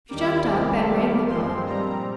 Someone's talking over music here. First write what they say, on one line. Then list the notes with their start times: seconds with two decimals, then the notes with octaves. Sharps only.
She jumped up, and rang the bell.
0.09 D#2 D#3 G3 A#3 D6
0.48 C3 G3 C4
0.87 D#2 D#3 G3 A#3
1.27 G2 F3 G#3 C4 C6
1.66 A#2 G3 C4 A#5